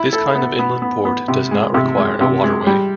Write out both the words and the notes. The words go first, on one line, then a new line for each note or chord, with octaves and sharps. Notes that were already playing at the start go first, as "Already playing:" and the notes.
This kind of inland port does not require a waterway.
Already playing: E4
A4
B3
B3
B3
B3
C3
G#3
C3
G#3
C3
G#3
G3